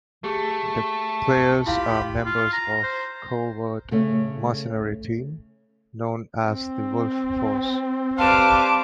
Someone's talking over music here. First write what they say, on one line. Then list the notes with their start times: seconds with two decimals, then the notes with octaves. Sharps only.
The players are members of a covert mercenary team known as the "Wolf Force".
0.24 A3 G4 G#4
1.66 E4 F4 G4 F5 B5
2.25 F4
2.53 A#5
2.83 C5
3.91 C#3 A3 C#4
6.47 C4
8.19 G3 B4 C5 F5 A5 D6